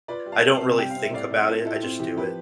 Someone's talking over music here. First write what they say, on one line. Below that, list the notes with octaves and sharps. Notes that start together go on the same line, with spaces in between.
I don't really think about it, I just do it.
F4 B4 D5
G3
F5 A5
C3
C3 F5 A5
G3 G5
F5
C4
E5
A2 D5 F5
A2
E4 F4 A4
E4 F4 A4
G4
C4 F4
E3 G4
F3 G4 B4